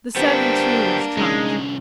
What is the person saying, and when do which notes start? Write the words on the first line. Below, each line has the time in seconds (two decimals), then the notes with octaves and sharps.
The seven too was trumped.
0.16 G3 A#3 B3 D4 C5 G5
1.17 C2 G#3 C#4 D#4